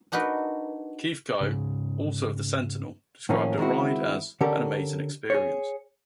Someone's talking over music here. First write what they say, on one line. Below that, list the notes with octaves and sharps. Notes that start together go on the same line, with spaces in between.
Keith Kohn, also of the "Sentinel", described the ride as "an amazing experience".
D4 D#4 F#4 A#4 B4
G#2 C#3
A2 D#3 F3 A#3 C#4
D#3 G#3 C4 E4 F#4
D3 C#4 G4 A4 A#4 D5
G#4 C#5